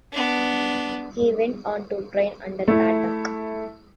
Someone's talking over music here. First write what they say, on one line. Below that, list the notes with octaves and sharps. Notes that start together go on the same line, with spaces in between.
He went on to train under Pat Buck.
B3 D4
A3 E4